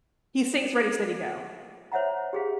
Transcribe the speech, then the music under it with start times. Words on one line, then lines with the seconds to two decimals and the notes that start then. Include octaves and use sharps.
he sings "Ready Steady Go!"
1.92 C5 C#5 E5 F#5 A#5
2.33 G4 G#4 F5